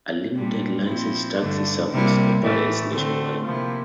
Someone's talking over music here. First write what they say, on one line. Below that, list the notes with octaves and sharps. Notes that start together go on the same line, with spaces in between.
A limited licensed taxi service operates nationwide.
A#2 G3 D4
A#2 F3 C4 E4
G2 D3 A3 D4
C3 G3 A#3 E4
A2 E3 A3
D3 A3 C4
C3 F3 A#3 E4